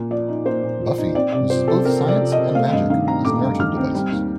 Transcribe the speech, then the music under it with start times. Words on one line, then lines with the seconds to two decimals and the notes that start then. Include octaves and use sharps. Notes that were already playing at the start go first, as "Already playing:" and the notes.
"Buffy" uses both science and magic as narrative devices.
Already playing: A#2 A#3
0.10 F3 D5
0.28 D#4
0.46 A#3 C5
0.63 A#2
0.81 F3
0.98 D#4
1.15 C4 D5
1.32 C3 D5
1.50 F3 C5
1.68 C3 A4
1.85 C4 A#4
2.03 C3
2.08 D5
2.20 F3
2.32 D#5
2.38 C3
2.55 A3 F5
2.72 G2 D#5
2.90 D#3 F5
3.07 C4 A#5
3.25 A3 D6
3.42 G2
3.60 D#3 F6
3.77 C4
3.95 G3
4.12 D#2